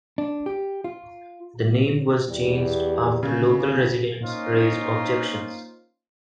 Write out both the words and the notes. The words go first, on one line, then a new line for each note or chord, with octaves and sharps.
The name was changed after local residents raised objections.
D4
G4
F4
E2 G3
G1 C#3
A#3 C#4 D#4 F4 C5